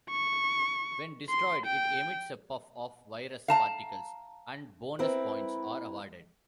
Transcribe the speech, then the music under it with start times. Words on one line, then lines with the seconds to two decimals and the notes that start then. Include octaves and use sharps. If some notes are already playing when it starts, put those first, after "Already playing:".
When destroyed it emits a puff of virus particles, and bonus points are awarded.
0.10 C#6
1.29 C6
1.66 G5
3.48 F5 A5 A#5
4.99 C4 E4 A#4 B4